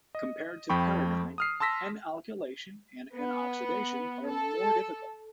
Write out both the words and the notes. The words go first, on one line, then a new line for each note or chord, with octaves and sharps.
Compared to pyridine, "N"-alkylation and "N"-oxidation are more difficult.
D#5
F2 F3 G5 B5 C#6
D#6 F6 C7
A5 C6 E6 A#6 B6
B3
A4